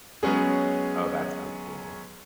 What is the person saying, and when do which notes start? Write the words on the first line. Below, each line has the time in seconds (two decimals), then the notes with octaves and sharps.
Oh, that's so cool.
0.23 F#3 G#3 B3 C#4 G#4